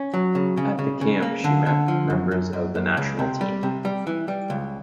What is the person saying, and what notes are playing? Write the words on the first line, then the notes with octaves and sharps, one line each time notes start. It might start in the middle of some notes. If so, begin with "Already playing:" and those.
At the camp she met members of the national team.
Already playing: C#4
F#3
C#3
C#3
C#3
C#3
A#3
D3
D3
F3
F#2
F#2
F#2
F#2
C#2
C3
G3
C3
G3
E3
G3
C#2